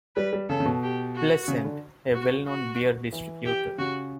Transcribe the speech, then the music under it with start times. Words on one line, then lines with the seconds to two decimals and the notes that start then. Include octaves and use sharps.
Pleasant, a well-known beer distributor.
0.16 G3 B4
0.33 G3
0.49 C#3 A4
0.60 C#3
0.65 B2
0.83 G4
1.16 F#4
1.48 C#3
1.64 D3
2.14 F#4
2.47 F#4
3.12 E3
3.46 G4
3.78 C#3 F#4